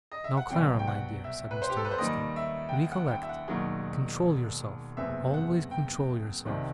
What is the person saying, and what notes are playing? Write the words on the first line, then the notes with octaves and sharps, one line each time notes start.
'Now, Clara my dear,' said Mr. Murdstone. 'Recollect! control yourself, always control yourself!
D#5
E5
F#5
C2 B2 F#3 G5
G5
F#5
E5
B4
C5
G4
A4
B4
C5
D#2 D#3 G3 D#5
E5
G5
F#5
F#5
G5
E5
F#5
E1 D#2 D#3 F#3
F#1 E2 C3 E5
F#5
G5
C2 C3 D#3